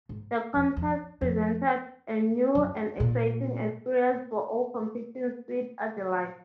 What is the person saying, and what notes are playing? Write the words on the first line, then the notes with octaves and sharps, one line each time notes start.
The contest presented a new and exciting experience for all competing Sweet Adelines.
G#2
F2
F2
F2
F#2
A#2